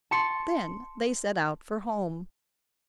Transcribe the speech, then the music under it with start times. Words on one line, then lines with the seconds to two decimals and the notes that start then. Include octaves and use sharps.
Then they set out for home.
0.11 A5 C6 C#6 C#7